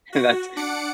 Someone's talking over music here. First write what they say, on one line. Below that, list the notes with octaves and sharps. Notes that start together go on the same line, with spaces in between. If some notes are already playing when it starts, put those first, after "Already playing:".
and that's,
F#4
D4 F#5 D6 C#7 D7